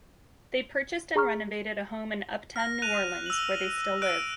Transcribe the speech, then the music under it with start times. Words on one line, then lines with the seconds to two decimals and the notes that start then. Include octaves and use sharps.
They purchased and renovated a home in Uptown New Orleans, where they still live.
1.16 G#4 A#5 C#6 F6
2.56 F6 A#6
2.82 F#6 D#7 F7
3.26 E6 F#7
4.02 E6 F#6 D7 D#7